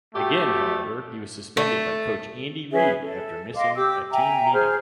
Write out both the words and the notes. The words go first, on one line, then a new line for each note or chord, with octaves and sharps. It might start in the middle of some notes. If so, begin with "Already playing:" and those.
Again however, he was suspended by Coach Andy Reid after missing a team meeting.
A3 F#4 G4
A3
C#4 G#4 B4 E5
A4
D#5 F5 C6 D6
G4 D6 E6
E5 G5 G#5 A#5
G#4 C5 F6